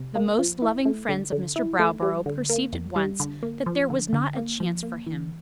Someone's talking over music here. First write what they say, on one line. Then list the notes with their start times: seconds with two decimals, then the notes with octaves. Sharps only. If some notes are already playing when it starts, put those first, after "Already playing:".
The most loving friends of Mr. Browborough perceived at once that there was not a chance for him.
Already playing: C3
0.15 A#3
0.39 F3
0.62 E4
0.85 A3
1.09 D3
1.32 D3
1.56 E4
1.79 A3
2.02 G3
2.26 D3
2.50 A#3
2.73 F2
2.96 G3
3.20 D3
3.43 A#3
3.66 F3
3.90 D3
4.13 D3
4.37 A#3
4.60 F3
4.83 A#3
5.06 E3